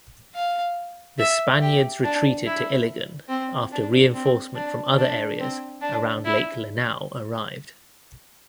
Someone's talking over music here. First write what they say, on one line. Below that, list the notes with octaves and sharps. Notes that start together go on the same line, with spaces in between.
The Spaniards retreated to Iligan after reinforcement from other areas around Lake Lanao arrived.
F5
E5
G4
D4
E4
C4
D4
C4
D4
D4
C4
D4
E4